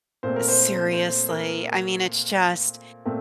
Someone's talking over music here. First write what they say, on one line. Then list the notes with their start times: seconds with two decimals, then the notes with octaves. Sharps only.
Seriously. I mean, it's just
0.23 A#2 A3 C4 C5
0.36 A#4
0.48 C5
0.93 C5
1.29 A#4
3.05 A#2 A3 C4